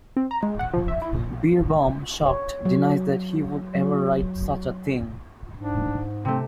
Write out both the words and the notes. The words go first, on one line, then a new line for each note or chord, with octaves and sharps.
Beerbohm, shocked, denies that he would ever write such a thing.
C4
A#5
G#3
F#5
F3
E5
E4
A#1
C#5
F#3
F#3
G#2 D4
C3 A3 C4